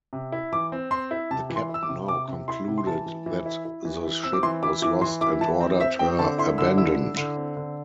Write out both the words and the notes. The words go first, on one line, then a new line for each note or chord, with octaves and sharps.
The captain now concluded that the ship was lost and ordered her abandoned.
C3
E4
E3 D6
C4
C4 C6
E4
C3 A5
E3
C6
E4
E6
D6
C3
C3 D6
C3
E4 C6
C3
C6
E3 A5
E3
E3
E4
E4
E3
E4
C4 E6
D6
E3 C6
E4 D6
E3 D6
E3 C6
E4 D6
E3 A5
C4
C4 E5
C4 G5
D3 A5
E4 C6
D3 E6
E4 E6
E4
D3
C4
D3